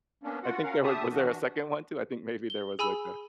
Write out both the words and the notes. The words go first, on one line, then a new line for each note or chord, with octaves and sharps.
I think there was was there a second one too? I think maybe there was, like, a
A#3 B3 C#4 D4
F4 F#4 F#5
C#4 A#4 F5 F#5
D3 G4 E5 A5 D#6
E3 D4 F#4
G7
G#4 G#5 B5 E6